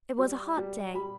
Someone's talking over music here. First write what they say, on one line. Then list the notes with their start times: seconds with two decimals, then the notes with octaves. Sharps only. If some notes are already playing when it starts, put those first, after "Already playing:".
It was a hot day.
0.19 G3
0.57 G3
0.94 G3 B5